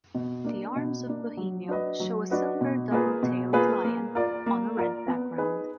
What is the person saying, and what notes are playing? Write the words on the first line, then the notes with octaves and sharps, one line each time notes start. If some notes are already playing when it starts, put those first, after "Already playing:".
The arms of Bohemia show a silver double-tailed lion on a red background.
B2
A#3 D4
B2
A#3 D4
F#3
D4 F#4 B4 D#5
F#3
D4 F#4 B4 D#5
B2
A#3 F4 G#4 B4
B2
A#3 F4 G#4 B4
A#3
F4 A#4 D5
A#3
F4 A#4 D5
B3
D#4 G#4 B4